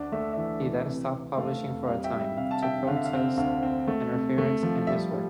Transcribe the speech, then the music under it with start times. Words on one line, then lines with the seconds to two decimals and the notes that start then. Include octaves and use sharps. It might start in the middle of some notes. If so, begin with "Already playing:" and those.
He then stopped publishing for a time, to protest interference in his work.
Already playing: D2 D4
0.12 A3 E5
0.33 E3 E5
0.62 E3
0.88 C3
1.13 C3
1.38 A3 F5
1.63 F2
1.87 G3 F5
2.04 E5 G5
2.13 G3
2.21 E5
2.37 C3 F5
2.51 A5
2.62 C3 E5 G5
2.87 D3 F5
2.96 E5
3.05 F5
3.13 C4
3.37 D2 F5
3.63 C4
3.88 A3
4.13 C3
4.38 A3
4.63 F3
4.87 G3 E5
5.13 G3